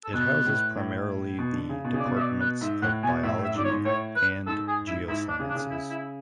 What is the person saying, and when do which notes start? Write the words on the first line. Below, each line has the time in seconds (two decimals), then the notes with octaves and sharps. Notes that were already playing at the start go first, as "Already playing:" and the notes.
It houses primarily the departments of biology and geosciences.
0.05 A4
0.14 B2 B4
0.45 A2
0.76 A2
1.38 B2
1.53 D3
1.69 C#3
1.84 B2
1.94 C#3
1.99 D5
2.05 B2
2.16 E5
2.20 D5
2.40 B4
2.61 G#2 E5
2.82 A2 F#5
3.03 B2 G#5
3.23 A2 E5
3.39 A2
3.44 E5
3.54 G#2 D5
3.64 C#5
3.70 G#2
3.85 A2 C#5
4.16 B4
4.46 G#2 A4
4.68 G#4
4.88 E4
5.08 G#2 E4
5.29 D4
5.40 C#3
5.49 D4
5.55 C#3
5.71 E4
5.90 E4